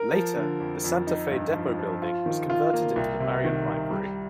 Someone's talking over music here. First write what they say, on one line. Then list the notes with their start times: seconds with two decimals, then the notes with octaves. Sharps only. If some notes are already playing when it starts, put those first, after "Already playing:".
Later, the Santa Fe depot building was converted into the Marion Library.
Already playing: A#4
0.12 F3
0.36 D3
0.60 F2
0.84 F2
1.07 D#4
1.31 G2
1.55 F3
1.79 F3
2.02 F4
2.26 D#3
2.50 F4
2.73 A#3
2.96 C2
3.20 C3
3.45 D#3
3.68 C2
3.91 G3